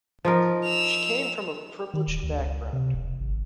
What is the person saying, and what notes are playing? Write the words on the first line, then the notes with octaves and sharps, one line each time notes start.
She came from a privileged background.
F3 D#4 A#4
E6 F7
D#3
D#1
D2
C#2
C3
E1
G#1